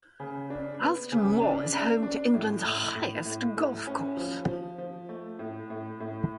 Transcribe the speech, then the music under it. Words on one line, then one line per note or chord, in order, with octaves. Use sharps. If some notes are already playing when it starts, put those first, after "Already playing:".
Alston Moor is home to England's highest golf course.
C#3
D4
B3
C#3
D4
D4
D4
A2
A2
A2
A2
A2
C#4
F3
F3
F3
A3
A2
A2
A2